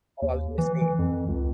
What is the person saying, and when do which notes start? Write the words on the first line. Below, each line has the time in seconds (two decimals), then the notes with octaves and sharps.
Oh, I was gonna say
0.22 D#2
0.58 E3
0.81 E3
0.99 F2
1.28 C#2